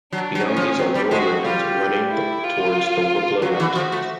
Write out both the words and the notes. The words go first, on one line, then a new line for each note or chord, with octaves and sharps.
Beyond these are rural lands, running towards the Wicklow Mountains.
F#3 D4
F#3
C#4
F3
F#3 C4
G3
G#3 F#4
G3 F4
E4
F4
F#3 F#4
E3
F3
A3